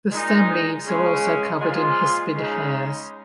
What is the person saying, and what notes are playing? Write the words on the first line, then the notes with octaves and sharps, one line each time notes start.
The stem leaves are also covered in hispid hairs.
A#2 G#3 D#4
C#3 G#3 C#4
A#2 F3 G#3 F4
C#3 G#3 D#4